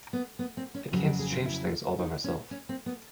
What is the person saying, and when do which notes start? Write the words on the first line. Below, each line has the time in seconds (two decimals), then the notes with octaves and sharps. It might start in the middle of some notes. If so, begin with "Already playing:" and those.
I can't change things all by myself.
0.13 B3
0.39 B3
0.57 C4
0.74 C#4
0.92 F2 C#3 F#3 G4
1.05 G4
1.19 G#4
1.32 F4
1.45 E4
1.99 D#4
2.24 C#4
2.51 C#4
2.69 C4
2.86 B3